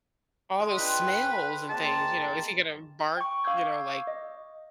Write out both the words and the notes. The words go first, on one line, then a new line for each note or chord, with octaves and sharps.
All those smells and things, you know, is he gonna bark? You know, like
G#3
D4 F4 B4 G5
G#3 A#3 C4 A5
G5 C#6
F5 C#6 D6 E6 G6 G#6
D#5